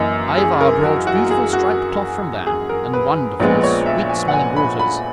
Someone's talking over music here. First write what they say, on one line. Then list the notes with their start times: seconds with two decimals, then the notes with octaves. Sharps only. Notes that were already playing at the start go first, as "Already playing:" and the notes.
Ivar brought beautiful striped cloth from there, and wonderful, sweet-smelling waters.
Already playing: F#2 E3 A#3 D#5
0.38 G#4
0.61 A#4
0.84 F#4
1.07 F#4
1.30 G#4
1.53 F#4
2.46 G#4
2.69 A#4
2.93 B4
3.40 A#1 A#2 G#3 B3
3.63 C#5
3.86 E5
4.09 G#5
4.28 F#5
4.33 G#5
4.56 B5
4.79 B5